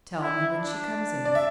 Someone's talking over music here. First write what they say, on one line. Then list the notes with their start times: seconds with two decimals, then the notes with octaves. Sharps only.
"Tell me when she comes in--."
0.21 E4
0.56 D4
1.25 D5
1.35 E5